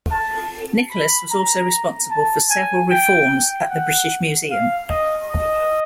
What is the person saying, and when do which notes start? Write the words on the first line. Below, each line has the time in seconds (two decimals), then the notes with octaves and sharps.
Nicolas was also responsible for several reforms at the British Museum.
0.11 A5
0.91 B5
1.30 A#5
2.10 A5
2.50 G#5
2.90 G5
3.69 F#5
4.50 F5
4.89 D#5
5.29 D#5